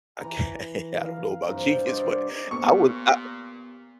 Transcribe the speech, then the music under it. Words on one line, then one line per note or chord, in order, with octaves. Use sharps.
Okay, I don't know about genius, but I would I
E3 A#5
F5
G2 C3 A#5
C5 D5 D#5
A#2 A#3 B3 G4 C#6 C#7